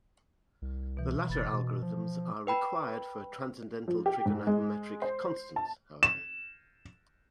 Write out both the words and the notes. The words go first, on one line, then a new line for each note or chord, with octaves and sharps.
The latter algorithms are required for transcendental trigonometric constants, however.
C2
B2 E3
F#1 B5 A6
B2
F3
B4 G5 B5
F3
G4
G#2
G#3
C5
A5
E7